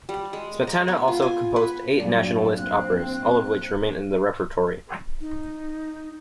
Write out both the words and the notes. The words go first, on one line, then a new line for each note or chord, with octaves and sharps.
Smetana also composed eight nationalist operas, all of which remain in the repertory.
G3
G#3
A#5
B3
F4
G#5
B4
G2 A#2 F#3 D5
C4 F#6
D#4